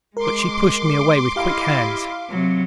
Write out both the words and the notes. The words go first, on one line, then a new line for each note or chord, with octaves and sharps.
But she pushed me away with quick hands.
G#3 A#4 C6 D6
E4 G4 D#5 F5 F6
C3 F#3